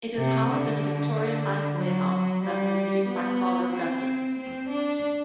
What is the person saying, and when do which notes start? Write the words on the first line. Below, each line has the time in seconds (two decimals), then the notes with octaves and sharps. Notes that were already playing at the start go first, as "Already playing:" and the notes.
It is housed in a Victorian ice warehouse that was used by Carlo Gatti.
0.16 C3
0.49 D3
1.13 D3
1.78 F#3
2.43 G3
3.08 B3
3.73 C4
4.38 C4
4.69 D4